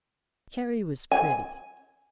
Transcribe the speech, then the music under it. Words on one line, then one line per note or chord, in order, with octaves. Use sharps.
Carrie was pretty.
G#5